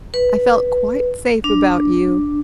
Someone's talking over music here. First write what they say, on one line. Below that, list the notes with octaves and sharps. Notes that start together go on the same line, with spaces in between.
I felt quite safe about you.
B4
D4